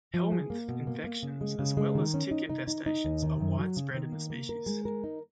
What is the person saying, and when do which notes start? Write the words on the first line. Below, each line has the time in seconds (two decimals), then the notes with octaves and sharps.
Helminth infections, as well as tick infestations are widespread in the species.
0.14 F3
0.32 G#4
0.50 A#3
0.68 B2
0.87 A#3
1.04 A#3
1.23 C#3
1.41 G#3
1.59 C#3
1.77 G#3
1.95 D#3
2.14 C#4
2.31 D#4
2.50 D#4
2.67 D#4
2.86 D#4
3.04 D#2
3.23 D#3
3.40 F#2
3.58 F#3
3.77 C#3
3.94 D#3
4.12 A#3
4.30 A#3
4.49 A#4
4.66 G#3
4.85 A#4
5.04 D#4